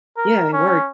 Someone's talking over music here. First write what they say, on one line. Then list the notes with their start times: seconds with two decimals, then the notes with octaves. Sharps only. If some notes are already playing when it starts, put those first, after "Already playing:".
yeah, it worked,
0.17 A#4
0.53 C#4